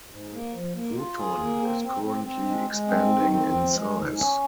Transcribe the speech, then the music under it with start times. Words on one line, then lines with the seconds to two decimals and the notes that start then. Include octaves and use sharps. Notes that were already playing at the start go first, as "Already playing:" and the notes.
Wootton is currently expanding in size.
0.10 G#2
0.32 A#3
0.53 F3
0.75 A#3
0.96 F4
1.17 G#4
1.39 A#3
1.60 C4
1.81 C4
2.03 C4
2.24 C4
2.45 G#3
2.67 G#3
2.88 C4
3.09 D#3
3.31 C4
3.52 F3
3.73 G#3
3.95 G#2
4.16 C#4